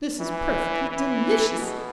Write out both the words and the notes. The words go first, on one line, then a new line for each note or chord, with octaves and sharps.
This is perfectly delicious.
E3
E3
B2